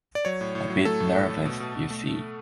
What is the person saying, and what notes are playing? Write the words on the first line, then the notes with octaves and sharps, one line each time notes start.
A bit nervous, you see.
D5
F#3 C#5
A2
A2
F#3
A3 A4
A2
A2
A3
B2
B2
B2
A3